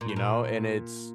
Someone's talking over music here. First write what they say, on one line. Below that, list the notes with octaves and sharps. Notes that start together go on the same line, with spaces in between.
you know? And it's
A#2
A2
A#2